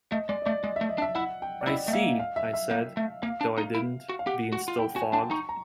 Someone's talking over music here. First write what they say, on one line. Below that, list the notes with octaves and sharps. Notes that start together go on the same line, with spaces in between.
"I see," I said, though I didn't, being still fogged.
A3 D#5
G#3 D5
D#5
A3 D5
G#3 D#5
A3 E5
D#5
D4
E5
E4 F#5
G5
D5
E4 D#5
A3 D#5
A#3 E5
F5
E5
E5
A#3
A3
A#3 F5
D4
D#4
E4
F#4
F5
G4 F#5
F#4 F#5
F4
E4 G5
F#4 G#5
D4 A5
D#4 C#6
A#5